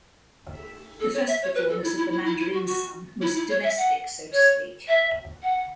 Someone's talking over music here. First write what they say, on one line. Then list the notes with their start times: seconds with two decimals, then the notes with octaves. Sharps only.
The first performance of "The Mandarin's Son" was "domestic," so to speak.
0.99 A4
1.13 C#5
1.27 E5
1.42 C#5
1.54 B4
1.68 A4
1.83 E4
1.97 E4
2.11 E4
2.24 E4
2.38 E4
2.52 F#4
2.66 F#4
3.21 E4
3.34 E4
3.49 C#5
3.62 E5
3.77 F#5
4.32 C#5
4.87 E5
5.42 F#5